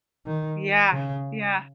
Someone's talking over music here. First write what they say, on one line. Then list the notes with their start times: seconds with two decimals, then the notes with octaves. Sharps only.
Yeah, yeah.
0.26 D#3
0.93 C#3